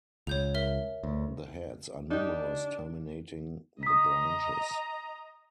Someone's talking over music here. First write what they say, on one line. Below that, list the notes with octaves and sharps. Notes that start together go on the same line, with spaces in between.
The heads are numerous terminating the branches.
C#2 C#5 G6 F7
A#4 E5 G7
D2
D4 D#4 G4
D#5 A#5 D#6 B6